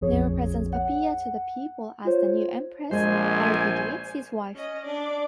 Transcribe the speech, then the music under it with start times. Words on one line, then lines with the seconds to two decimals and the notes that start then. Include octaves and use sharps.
Nero presents Poppea to the people as the new empress and repudiates his wife.
0.01 A#1 F2 F3 G#4 C#5
0.72 F#5
2.05 F4 C5 C#5
2.91 A#1 G#3 C5 G#5
4.55 C#4 D#5
4.85 D4 D5